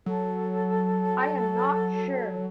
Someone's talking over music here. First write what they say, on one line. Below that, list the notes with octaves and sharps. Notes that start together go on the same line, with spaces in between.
I am not sure.
F#3 A4